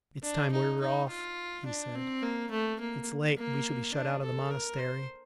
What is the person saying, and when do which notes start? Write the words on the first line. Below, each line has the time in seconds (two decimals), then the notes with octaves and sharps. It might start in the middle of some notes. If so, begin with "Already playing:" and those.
"It's time we were off," he said, "it's late, we shall be shut out of the monastery."
0.23 D4
0.52 D#4
0.80 D#4
1.09 F4
1.66 D4
1.95 C4
2.22 A#3
2.51 A3
2.80 A#3
3.37 A#3
3.93 D4
4.23 A4
4.50 A#4
4.79 C5